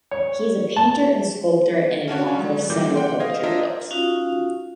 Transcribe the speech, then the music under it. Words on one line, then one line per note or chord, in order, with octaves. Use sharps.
He is a painter and sculptor and an author of several poetry books.
C#5
A5
C#4 D4 F#4 C#5
F#3 G#3
A#2 E3 G3 A#3 D6 G6
F#5 G5 C6
D#5 F5 G#6
D4 F4 A#4 C5 D#5 E5
C#4 D#4 F4 F#4 F5